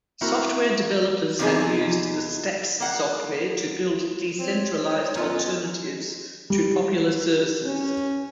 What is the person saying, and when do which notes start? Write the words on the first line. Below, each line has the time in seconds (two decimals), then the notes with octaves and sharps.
Software developers have used the Stacks software to build decentralized alternatives to popular services.
0.21 A#3 C4 E4 F#4 A#4
1.39 E2 C3 D#4 G#4
2.80 A#3 F#5
4.39 C4 C#5
4.75 C5
5.15 F#2 B3 C#4 F4 D#5
6.50 G3
7.66 C#4